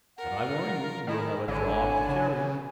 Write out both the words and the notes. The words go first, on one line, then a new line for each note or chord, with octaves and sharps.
"But I warn you, you'll have a job to carry it."
F4 A#4 F#5
D#3 G#3 E4 D#5
G#1 D3 E4 C#5 G#5
C#3